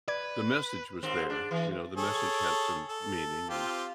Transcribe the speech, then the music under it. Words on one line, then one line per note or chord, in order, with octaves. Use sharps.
the message was there. You know, the message had some meaning and
B4 D5 G#6
D#2 G#2 C4
D4
E3
G#4 A4 C#5
A4
C4 F4 G4